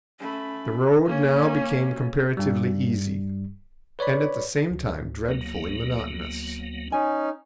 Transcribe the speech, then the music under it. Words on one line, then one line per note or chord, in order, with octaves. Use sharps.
The road now became comparatively easy, and at the same time dreadfully monotonous.
A3 C#4 B5
A#3 C#4
G2 G3
B4 C#5 D5 B5
D2
F#3 A#3 B3
C#4 D#4 G#5